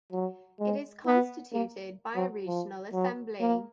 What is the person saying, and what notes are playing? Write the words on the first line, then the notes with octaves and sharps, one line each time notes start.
It is constituted by a "Regional Assembly".
F#3
G#3
B3
A#3
F#3
F3
F#3
A#3